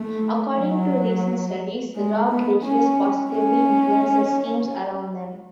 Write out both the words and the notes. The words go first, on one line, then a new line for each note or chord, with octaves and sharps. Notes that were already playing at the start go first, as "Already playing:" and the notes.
According to recent studies, rock glaciers positively influence the streams around them.
Already playing: A3
F#3
G#3
B3
C#4
C#4